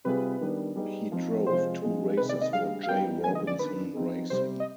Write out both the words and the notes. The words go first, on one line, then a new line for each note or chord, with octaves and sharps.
He drove two races for Jay Robinson Racing.
C3 G3 C4 F4 G#4 B4
D#3 G3 B3 D4
G3 B3 D#4 G#4
F3 C4 D#4
C3 F3 G#3 C4 F4 C5
F3 G#3 C4 D#4 G#4
C3 D#3 G#3 C4 B4
D5
D#5
G3 D4 G#4 F5
F5
G3 B3 D#4 G#4 G5
D3 F3 G#3 B3 G#5
D#5
D5
D#3 B3 D4 B4
F3 C4 D#4 G#4
C3 G3 C4 G4 C5
D#5